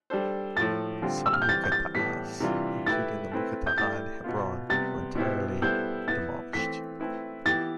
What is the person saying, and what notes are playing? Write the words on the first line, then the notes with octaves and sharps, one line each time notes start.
Some Mukataas, including the Mukataa in Hebron, were entirely demolished.
G3 D4 A4 C5
A2 F3 A3 A6
D3 G3 C4 F4
E6
F6
G6
E3 G3 C4 A6
G6
A6
A2 E3 G3 B3 B6
C3 E3 G3 D4 F4
A3 E4 G4 B4 E5 A6
A3 C4 E4 B4
G6
A3 E4 G4 D5 A6
B2 B3 F4
C3 G3 B3 A6
B2 B3 E4 G4 C5
G3 B3 E4 A4 C5 G6
B3 E4 B4 A6
E3 A3 C4 B6
A3 C4 E4 B4
E3 B3 E4 G4 A6